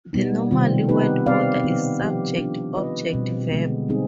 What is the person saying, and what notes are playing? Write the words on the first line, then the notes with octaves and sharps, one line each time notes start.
The normal word order is subject-object-verb.
B2 G3 B3 D#4
C3 D#3 G3 C4 F4
B3 D#4 G4 B4
C4 G4 D5 F5
D#3 B3 D#4
F3 C4 G4
B3 D4 F4
D#3 B3 F4 B4 D#5
B2 G3 C4
D3 G#3 B3
G3 C4 D#4 G#4